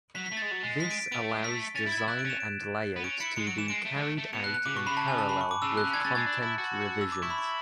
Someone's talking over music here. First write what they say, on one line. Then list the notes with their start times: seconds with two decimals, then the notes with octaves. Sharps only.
This allows design and layout to be carried out in parallel with content revisions.
0.15 F#3 B6
0.26 B6
0.32 A3
0.37 A6
0.42 G#3
0.51 F#3
0.63 G#3
0.80 B6
0.91 D7
1.01 D7
1.12 B3 D7
1.21 A3
1.32 G#3
1.43 A3 B6
1.76 C#4 A6
1.87 E4
1.92 G#6
1.98 E4
2.08 E4 F#6
2.19 D7
2.25 C#4 E7
2.40 D7
2.96 B3
3.04 C#4 D7
3.20 E4 C#7
3.36 G#3 C#7
3.47 F#3 D7
3.58 E3 E7
3.68 G#3 D7
3.85 A3
3.96 G#3
4.01 A3
4.18 A3
4.33 B2 C#7
4.44 F#6
4.54 F#6
4.65 C#3 D6
4.76 B2 C#6
4.86 C#3 B5
4.97 A5
5.08 G#5
5.18 A5
5.29 B5
5.41 C#6
5.51 D6
5.62 C#3 E6
5.72 B2
5.77 F#6
5.84 C#3
5.94 D3 G#6
6.05 C#3 A6
6.15 G#3 G#6
6.26 D4
6.42 E4
6.58 F#4
7.01 E6
7.12 D6
7.22 E4 C#6
7.30 B5
7.38 C#6